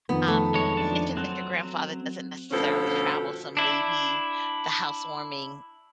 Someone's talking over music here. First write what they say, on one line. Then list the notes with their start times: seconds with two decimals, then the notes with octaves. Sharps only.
um, you mentioned that your grandfather doesn't necessarily travel, so maybe the housewarming
0.09 F2 D#3 B3
0.28 A3
0.54 G#3 C#5
0.77 F3 D4 A5
1.17 F#3 C4 F#6
2.51 D2 B2 F3 C4 C#4 A4
3.57 D4 E4